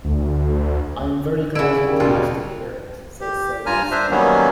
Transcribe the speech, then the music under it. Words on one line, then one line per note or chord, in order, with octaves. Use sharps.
"I am very glad indeed to hear it," says Sir Leicester.
D2
C#3 E4 D7
D#3 G3
D#2 B2 F4
G4
G2 F4 G#5 A#5 F6
D4 C5 E5
D#3 F#3 G3 A#3 B3 C#4